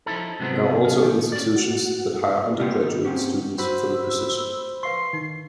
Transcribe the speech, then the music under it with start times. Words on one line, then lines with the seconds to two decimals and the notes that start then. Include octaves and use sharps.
There are also institutions that hire undergraduate students for the position.
0.06 F3 D#4 E4 A4
0.40 G#2 C3 F#3 B3 C4
0.84 C#4
1.02 D#3
1.32 C#4 D5
1.56 F#4
2.60 G3 A#3 B3 G4 A5 C6
2.81 D#3 D#4
3.05 A#3 C4 C#4 F#4 G4
3.58 F#4 C5 B5 E6
4.83 B4 F5 C6 C#6 C7
5.13 D#3 D#4